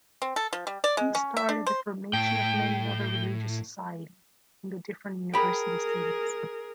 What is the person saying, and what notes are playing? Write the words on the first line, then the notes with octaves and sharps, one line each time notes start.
This started the formation of many other religious societies in the different university cities.
C4
A4
F3
G3
D5
G#3
C#4
E5
D4
C5
A2 G5
G#4 A#4 G5 B5